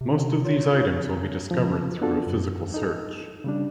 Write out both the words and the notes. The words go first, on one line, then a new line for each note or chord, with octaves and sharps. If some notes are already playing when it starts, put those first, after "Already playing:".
Most of these items will be discovered through a physical search.
C3
F4 C#5
C#3 F3
B3 D4 F4 F#4 A4
F#2
D#4 A4
C#3 G3 D4